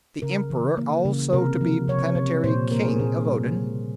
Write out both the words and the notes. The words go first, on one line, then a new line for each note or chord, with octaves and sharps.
The Emperor also to be Planetary King of Odin.
C#3 A#4
E3
A#3
C#3
C3 A#4
F3
C3 C#5
C3
A#2 C5
A#3 A#4
G#4
A#4
A#2 G#4
G3
C#3